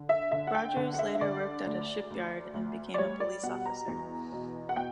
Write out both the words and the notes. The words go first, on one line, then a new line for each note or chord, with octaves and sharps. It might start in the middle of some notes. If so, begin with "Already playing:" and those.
Rogers later worked at a shipyard, and became a police officer.
Already playing: D3
E5
D3 E5
F#5
G5
D3 F#5
F#5
E5
E5
D3 D5
D2
D2
D2
D5
G3 C#5
D5
B2 F#5
A#5
E2
B2
F#5
B2 G5